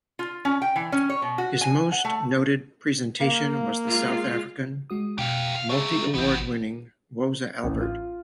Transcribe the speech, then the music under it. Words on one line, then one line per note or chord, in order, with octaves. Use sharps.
His most noted presentation was the South African, multi-award-winning Woza Albert!
F4
C#4
G5
E3
C#4
C#5
B2
F#4
G#5
F#5
A3
A#3 F5
G#3 F4
G#3 F#4 D#6
B2 G4 F5
F5
F#3 G#4 E5 C#6
G#1 E3 B3 C4
A1
F4